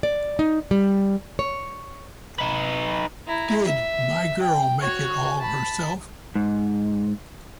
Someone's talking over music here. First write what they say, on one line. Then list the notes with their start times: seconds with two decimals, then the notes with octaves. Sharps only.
Did my girl make it all herself?
0.03 D5
0.39 D#4
0.71 G3
1.39 C#5
2.39 D#4 B4
3.27 E4 A#5
3.66 E5
4.41 G5
4.82 F#4 C#5
5.39 A5 B5
6.35 G#2